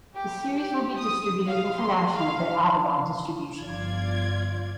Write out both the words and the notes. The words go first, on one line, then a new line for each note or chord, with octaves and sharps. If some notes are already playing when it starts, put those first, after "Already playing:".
The series will be distributed internationally by Avalon Distribution.
G4
G4
D#6
F5
C6
F5
G1 F3 F4 D5 G#6